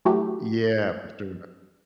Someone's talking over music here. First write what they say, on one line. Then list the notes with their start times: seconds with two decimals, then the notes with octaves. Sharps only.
Yeah, for sure.
0.05 E3 F#3 A3 F#4 G4